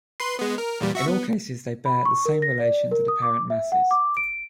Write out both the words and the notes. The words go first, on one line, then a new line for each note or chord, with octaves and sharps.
In all cases, they bear the same relation to the parent masses.
B4 C6
G#3 B3
A#4
E2 A#2 G3
F#4 E5 C#6
B3
B5
C#6
A#4
A#6
D5
A#4
D#6
D6
E5
F#5
D6
D7